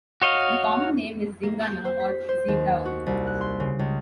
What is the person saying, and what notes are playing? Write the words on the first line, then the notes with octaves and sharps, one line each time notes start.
The common name is "zingana" or zebrawood.
F#4 C#5 D#5 F5
A#3
G6
C5
B6
C5
D#2
F#4
C2
F#6
C6
C#3
C#2